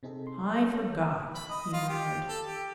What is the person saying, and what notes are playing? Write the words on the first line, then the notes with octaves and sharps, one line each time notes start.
"I forgot," he murmured.
C3 C4 D#4 G#4 A4
C6
A3 C#4 C#5
B5
D#5
F4
G4
A4
G4